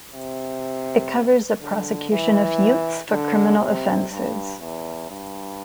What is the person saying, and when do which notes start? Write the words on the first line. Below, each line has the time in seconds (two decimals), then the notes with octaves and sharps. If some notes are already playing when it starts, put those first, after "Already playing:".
It covers the prosecution of youths for criminal offences.
0.12 C3
1.61 D3
2.10 E3
3.10 D3
3.60 C3
4.10 G2
4.60 E2
5.09 G2